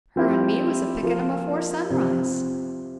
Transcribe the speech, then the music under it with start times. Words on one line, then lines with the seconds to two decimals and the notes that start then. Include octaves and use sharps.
"Her and me was a picking 'em afore sunrise."
0.16 F3 C4 E4 G4
1.03 F3 A#3 F4 A#4
1.89 C3 F3 C4 G4 C5